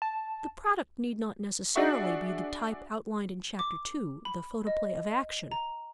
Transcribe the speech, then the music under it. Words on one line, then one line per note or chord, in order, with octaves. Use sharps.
The product need not necessarily be the type outlined in chapter two, The Photoplay of Action.
A5
D4 F#4 G#4 E5 C#6
D6
B5
D#5
A#5